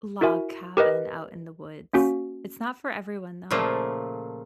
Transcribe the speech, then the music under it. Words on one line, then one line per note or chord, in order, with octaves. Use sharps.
log cabin out in the woods. It's not for everyone, though,
E4 F#4 A#4 E5 G#5
G4 A#4 B4 D#5
A#3 C#4 F#4
A#2 C#3 F3 A3 A#3